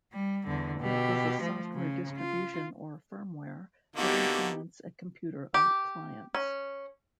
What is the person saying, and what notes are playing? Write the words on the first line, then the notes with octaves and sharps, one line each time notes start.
It is a software distribution or firmware that implements a computer appliance.
G3
E2 D3
B2 G4
F3 A3
C#3
F4
D3 A#3 B3 D#4 F#4 G4
G4
C#4